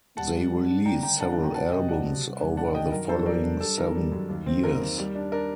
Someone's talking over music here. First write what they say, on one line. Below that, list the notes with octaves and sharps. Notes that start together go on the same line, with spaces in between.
They released several albums over the following seven years.
G3 F#5 A5
G3
G3
D4
D4 G5 A#5
D3 G5 A#5
D4 F#5 A5
F#5 A5
D#2
G5 A#5
F#3 F#5 A5
C3 D#5 G5
F#3 D5 F#5
C3
G3
G2
D4 F#5 A5
D#3 D#5 G5
F#2 A#4
D4 A4 C5
F#3 A#4 D5
D4
G3 A4
D#3 A#4
G3
F#2
D#2
C4
D#2 A#4
D#2
G3
D4
D4 A#4